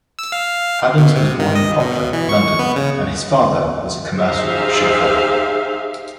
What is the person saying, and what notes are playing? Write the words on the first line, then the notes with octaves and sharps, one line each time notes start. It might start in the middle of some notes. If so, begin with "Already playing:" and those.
Adams was born in Poplar, London, and his father was a commercial chauffeur.
E6
F5
B2
C3
D#3
D#5
B2
E3
C#6
B3
C#3
D#4 G4 G#4 C5 E5 F5